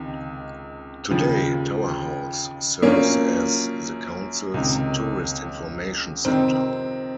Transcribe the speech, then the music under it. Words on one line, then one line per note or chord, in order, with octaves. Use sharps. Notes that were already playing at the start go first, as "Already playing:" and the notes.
Today, Tower House serves as the Council's Tourist Information Centre.
Already playing: C#2 C3 D#3
D#2 C#3 F3
F#2 F3 A#3 C#4
C#2 C3 D#3
F2 C3 D#3 C4